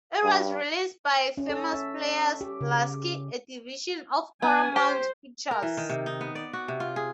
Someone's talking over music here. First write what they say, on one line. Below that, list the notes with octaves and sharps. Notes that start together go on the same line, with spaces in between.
It was released by Famous Players-Lasky, a division of Paramount Pictures.
G2
C#4
A4
E5
G4
C#3
B3 G#5
G4 C5
A#4
E3
D#3
C3
D#4
B3
D5
F#4
C3
F4
G#4